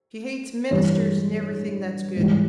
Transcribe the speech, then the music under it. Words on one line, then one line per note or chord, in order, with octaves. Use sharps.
She hates ministers and everything that's good.
G2 E3 G3 C#5
G#2 E3 G3